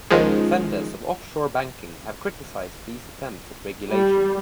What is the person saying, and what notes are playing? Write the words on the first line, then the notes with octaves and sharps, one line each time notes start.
Defenders of offshore banking have criticized these attempts at regulation.
C#2 D#3 F3 G#3
G3